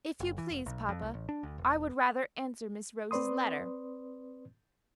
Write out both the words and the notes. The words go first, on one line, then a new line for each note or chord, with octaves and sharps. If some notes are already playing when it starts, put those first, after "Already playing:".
"If you please, papa, I would rather answer Miss Rose's letter."
F#1
E3
F1
B1
F2
C2
A1
D4
D2
E1
C4 B4 D5 C6 D#6